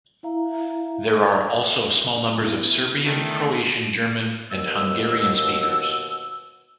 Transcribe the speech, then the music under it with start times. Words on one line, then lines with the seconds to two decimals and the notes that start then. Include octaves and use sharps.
There are also small numbers of Serbian, Croatian, German, and Hungarian speakers.
0.23 E4 E5 F5 A#5
2.41 B3 E4
3.05 D#3 A3 D5
4.52 D#2 B2 E6